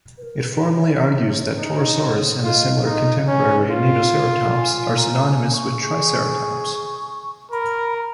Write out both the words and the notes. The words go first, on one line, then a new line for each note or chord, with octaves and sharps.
It formally argues that "Torosaurus" and the similar contemporary "Nedoceratops" are synonymous with "Triceratops".
B4
A#4
B4
C#5
D#4
F4 D#5 F5
D#4 D#5
C#4 C#5
B4
F4
A#4
A#4
A#4
G#5
G#5
A#5
G#5
C#6
G#4 C#6
A#4 B5
A#5